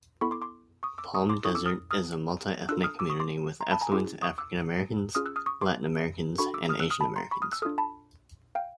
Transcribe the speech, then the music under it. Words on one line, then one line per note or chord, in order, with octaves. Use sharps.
Palm Desert is a multi-ethnic community with affluent African-Americans, Latin Americans and Asian Americans.
B3 E4 A4 B5 C#6
C6 D6
C6 D6
C#6 D#6
D6 E6
C#6 D#6
C6 D6
C#4 E4 A4 C#6 D#6
D6 E6
D#6 F6
D#6 F6
D4 F4 A4 E6 F#6
D#6 F6
D6 E6
C#6 D#6
C6 D6
A#5 C6
A5 B5
G#5 A#5
C#4 E4 G#4 C6 D6
C#6 D#6
D6 E6
C#4 F4 G#4 D#6 F6
E6 F#6
D#6 F6
C#6 D#6
C6 D6
D4 F#4 A4 B5 C#6
D6 E6
D#6 F6
E6 F#6
D#6 F6
A5 B5
A#5 C6
B5 C#6
D#6 F6
E6 F#6
D4 F4 A4 D#6 F6
A5 B5
F5 G5